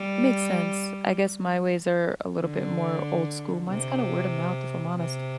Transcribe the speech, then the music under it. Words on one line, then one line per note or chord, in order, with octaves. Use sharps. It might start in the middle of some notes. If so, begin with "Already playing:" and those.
It makes sense. I guess my ways are a little bit more old school. Mine's kinda word of mouth, if I'm honest.
Already playing: G3
D3
C3
C3